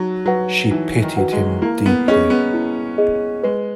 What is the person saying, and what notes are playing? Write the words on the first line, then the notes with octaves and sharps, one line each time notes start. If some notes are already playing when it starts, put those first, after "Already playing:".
She pitied him deeply.
Already playing: F#3 D#4
F#3 F#4 B4 F#5
E3 D#4
D#3
F#4 B4 F#5
G#3
A#3 E4
B3
C#4 G#4 D#5
B3
E4
G#4 D#5
G#3 B4